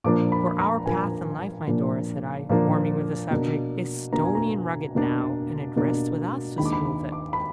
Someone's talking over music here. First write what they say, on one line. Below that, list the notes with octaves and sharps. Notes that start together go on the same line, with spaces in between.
For our path in life, my Dora,' said I, warming with the subject, 'is stony and rugged now, and it rests with us to smooth it.
A#2 F3 A#3 D4 D6
B5
A#5
A#2 F3 A#3 D4 G#5
A#2 F3 A#3 D4
A#2 F3 A#3 D4
B2 A#3 D4
B2 A#3 D4 A#5
G#5
A#5
B2 A#3 D4
B2 A#3 D4
D#2 D#3 G#3 D4 B5
D6
B5
B5
D6
B5